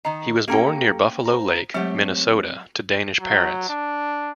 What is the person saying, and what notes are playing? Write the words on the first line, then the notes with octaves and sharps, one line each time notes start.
He was born near Buffalo Lake, Minnesota to Danish parents.
D#3 D#5 A#5
A#3 C#4 G4 A4 G5 A#5
C5 A#5
F#3 G#3 A3 C4 G4 C#5
F#3
D4